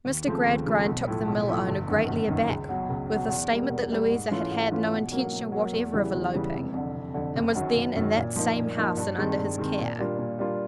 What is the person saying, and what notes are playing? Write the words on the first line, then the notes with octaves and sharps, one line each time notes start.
Mr. Gradgrind took the mill owner greatly aback with the statement that Louisa had had no intention whatever of eloping and was then in that same house and under his care.
D#2
C#3 F3 A3 C4
D#2
C#3 F3 A3 C4
B1
A2 F3 A3
B1
A2 F3 A3
G1
F#2 D#3
G1
F#2 D#3
C#2
B2 F#3
C#2
B2 F#3
E2
B2 G3 A#3
E2
B2 G3 A#3
G#2
E3 A3 C#4 F4
G#2
E3 A3 C#4 F4
B2
F#3 A#3
B2
F#3
A#3
E2
C#3 E3 G3
E2
C#3 E3 G3
F1
F2 D3
F1
F2 D3
F#1
F#2 D#3 F#3
F#1
F#2 D#3 F#3
A#2
F3 A#3 D#4
A#2
F3 A#3 D#4
G2
D#3 G#3 C4
G2
D#3 G#3 C4
A#2
G3 A#3 D4 F4
A#2
G3 A#3 D4 F4